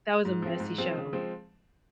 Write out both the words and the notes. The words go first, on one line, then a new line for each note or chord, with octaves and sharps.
That was a messy show.
G#2
F3 G#3 C4
G#2
F3 G#3 C4
C#3
F3 G#3 C4